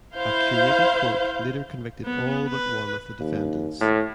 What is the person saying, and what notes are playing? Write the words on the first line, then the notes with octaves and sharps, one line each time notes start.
A Kuwaiti court later convicted all but one of the defendants.
E4 C5 F5 G6
B3
B4
D#2
A2